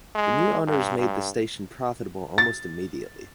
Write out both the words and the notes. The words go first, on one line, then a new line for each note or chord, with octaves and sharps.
The new owners made the station profitable almost immediately.
G#3
G2
G2
A6